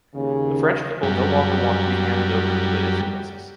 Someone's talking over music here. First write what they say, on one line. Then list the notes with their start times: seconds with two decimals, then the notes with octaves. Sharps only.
The French people no longer want to be handed over to the Islamists.
0.14 D#2 C#3
1.03 F#2 G3